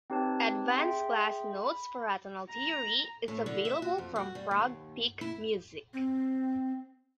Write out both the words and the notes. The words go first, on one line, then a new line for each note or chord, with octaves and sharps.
"Advanced Class Notes for Atonal Theory", is available from Frog Peak Music.
C4 D#4 G4 B4 C#5 A5
G#4 E5 G5 C6
B5
A#5
A2
D3
E5
F#4
F2
F#4
G3
D#2
E4
C4